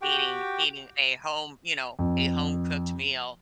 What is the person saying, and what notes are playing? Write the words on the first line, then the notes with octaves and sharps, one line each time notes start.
eating eating a home, you know, a home-cooked meal,
F#4 G4 G5
F2